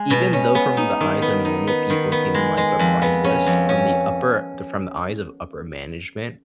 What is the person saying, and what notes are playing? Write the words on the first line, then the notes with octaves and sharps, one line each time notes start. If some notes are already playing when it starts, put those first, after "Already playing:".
Even though from the eyes of normal people, human lives are priceless from the upper from the eyes of upper management,
Already playing: G#3
B2
C#4
B3
D#4
D#3
B3
D#4
B3
D#3
B3
G#3
G#3
F2
B3
C#4
F2
C#4